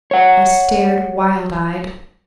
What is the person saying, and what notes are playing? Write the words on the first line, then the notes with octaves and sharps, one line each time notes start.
I stared, wild-eyed.
C#5 F#5